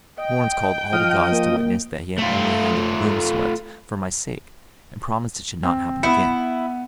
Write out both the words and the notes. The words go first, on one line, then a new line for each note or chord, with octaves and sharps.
Lawrence called all the gods to witness that he had only had the room swept for my sake, and promised it should not happen again.
D#5 G5
F3 D#5 F6
A#3
A3 F4
C4
B3 E4 C#7